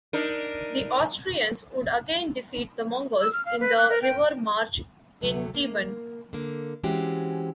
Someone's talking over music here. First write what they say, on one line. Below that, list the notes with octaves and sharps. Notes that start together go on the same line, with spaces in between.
The Austrians would again defeat the Mongols in the River March in Theben.
D4 D#4 A#4
E6
F6
F5
B4
F#6
A#4
G5
D2 C3 F#3 A3
A#3
D3 A#3
E3 G#3 C4 C#4 F#4 G4